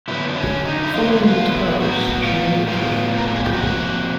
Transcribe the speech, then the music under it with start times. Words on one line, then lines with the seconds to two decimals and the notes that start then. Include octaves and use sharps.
Following guitarist Joe A.
0.08 D3 F#3 B3 E4
0.29 D4
0.37 C#4
0.65 D#4
0.84 E4
0.94 D3 F#3 B3 F4
1.12 E4
1.23 F4
1.52 E4
1.80 A2 F#3 B3 F#4
2.23 F4
2.67 A2 F#3 B3 F4
3.18 A#4
3.27 A4
3.36 G#4
3.44 G4
3.53 C3 F3 A#3 F#4